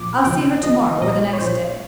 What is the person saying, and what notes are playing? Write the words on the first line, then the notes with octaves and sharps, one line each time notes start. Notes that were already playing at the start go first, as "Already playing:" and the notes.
I'll see her to-morrow or the next day.
Already playing: B1 A#2 F3 D6
D#2 C#3 F3 G5
D#2 C#3 F3 D#5
B1 A#2 F3 D#5
C#5
B1 A#2 F3 C5